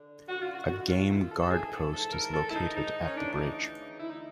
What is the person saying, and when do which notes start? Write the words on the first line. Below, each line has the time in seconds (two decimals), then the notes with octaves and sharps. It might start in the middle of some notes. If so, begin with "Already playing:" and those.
A game guard post is located at the bridge.
Already playing: D3
0.27 F#2 D3 F#4
0.41 F4
0.54 F#4
0.68 F#2 D#3 F#4
0.88 F4
1.09 F#2 D#3 E4
1.20 F4
1.31 A4
1.41 A4
1.50 G#2 E3 G#4
1.72 A4
1.92 G#2 E3 A4
2.13 A#4
2.33 G#2 D#3 A4
2.50 E4
2.55 D#4
2.75 G#2 D#3 D#4
3.07 C#4
3.17 D2 C#3 E3 D4
3.33 D4
3.37 D#4
3.58 D2 C#3 E3
3.99 D2 D3 E4
4.09 D#4